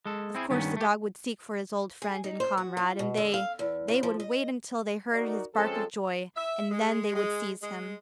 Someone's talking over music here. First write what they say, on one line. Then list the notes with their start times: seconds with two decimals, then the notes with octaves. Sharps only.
Of course the dog would seek for his old friend and comrade, and they--they would wait until they heard his bark of joy, and then they would seize him.
0.06 G#3 A4
0.35 C4 E4 G#4
0.50 G2 D#3 B3 C#4
0.77 A3 G4
2.02 G#4
2.24 D#4
2.40 C5
2.58 F#4
2.77 F4
2.99 B2
3.17 D3
3.34 F5
3.59 E2
3.88 C#3
4.03 F3
4.20 D#5
5.11 D#4 F#4 A#4 D5
5.55 F3 G#3 C4 C#4 A4
6.37 E5
6.71 G#3
7.15 G#3
7.62 G#3